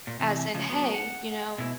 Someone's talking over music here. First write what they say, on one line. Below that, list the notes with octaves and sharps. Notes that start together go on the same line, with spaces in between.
as in, "Hey, you know,
A#2
C3 E3
C#3 F3
F#3 B3
F#5
B2 E4